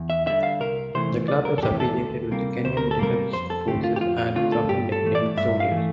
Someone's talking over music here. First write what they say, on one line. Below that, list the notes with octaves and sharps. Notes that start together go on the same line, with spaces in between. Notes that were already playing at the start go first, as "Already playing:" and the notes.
The club is affiliated with the Kenyan defence forces and is often nicknamed soldiers.
Already playing: E2
E5
D3 G3 E5
F5
C2 A#4
C3 E3 A3 C5
C2 D5
A#4
A4
C3 E3 A3 G4
A4
D2
C3 G3 A#3
D2 C5
A#4
A4
C3 G3 A#3 A#4
F2 C5
A4
D3 A3 C4 G4
F4
G4
F2 F4
F4
D3 A3 C4 F4
A4
G2 G4
A4
E3 A3
D5
G2 E5
F5
E3
A3